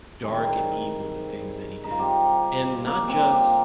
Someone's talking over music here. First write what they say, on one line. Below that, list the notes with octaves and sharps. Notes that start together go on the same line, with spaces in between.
dark and evil, the things that he did, and not just
C3 D#3 G3 G#4
D#4
F4
C3 G3 G4
A#3
C4
F4
G4